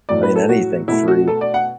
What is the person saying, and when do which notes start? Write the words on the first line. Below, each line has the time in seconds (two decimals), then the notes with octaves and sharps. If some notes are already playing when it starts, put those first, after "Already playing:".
I mean, anything free.
0.09 A2 F#3 A3 D5
0.23 B4
0.36 A4
0.49 F#4
0.88 B2 A3 E4
1.08 F#4
1.28 A4
1.41 D5
1.54 F#5